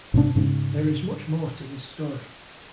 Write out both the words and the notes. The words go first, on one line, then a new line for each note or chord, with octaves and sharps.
There is much more to this story.
G#2 C3 D4
G#2 C#3